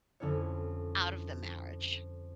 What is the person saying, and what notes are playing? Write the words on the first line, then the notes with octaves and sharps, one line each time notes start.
out of the marriage?
F2 D3 C#4 E4 C#5